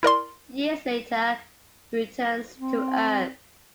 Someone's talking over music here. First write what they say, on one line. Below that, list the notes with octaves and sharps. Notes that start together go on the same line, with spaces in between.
Years later, he returns to Earth.
E4 A#4 D5 C6
C4